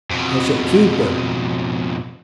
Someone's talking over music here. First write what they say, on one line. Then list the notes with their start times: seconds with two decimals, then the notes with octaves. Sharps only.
I shall keep them.
0.11 F2 B2